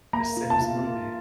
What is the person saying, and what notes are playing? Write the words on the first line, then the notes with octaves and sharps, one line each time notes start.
The Sims movie
A#3 A#5
F4
A5
F4